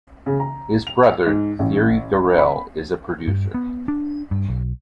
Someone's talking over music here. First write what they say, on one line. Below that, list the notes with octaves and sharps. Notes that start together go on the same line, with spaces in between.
His brother, Thierry Garrel, is a producer.
C#3
A#5
F7
G#2
A1
B5
G2
B3
D4
G2
B1